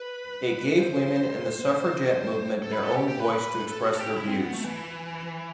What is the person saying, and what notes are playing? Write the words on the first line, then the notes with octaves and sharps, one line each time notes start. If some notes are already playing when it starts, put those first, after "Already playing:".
It gave women and the suffragette movement their own voice to express their views.
Already playing: B4
C5
A4
B4
A4
G4
G4
B4
A4
F#4
A4
G4
E4
C4
B3
A3
E3